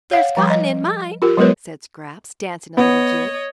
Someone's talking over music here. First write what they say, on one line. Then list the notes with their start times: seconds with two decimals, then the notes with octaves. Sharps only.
"There's cotton in mine," said Scraps, dancing a little jig.
0.11 C#5 F5 F#5
0.37 F3 G3 G5
0.50 D#5
1.22 F4 G4 A#4
1.37 F#3 G#3 B3 A#4 B4 C#5
2.77 B3 C#5 D#5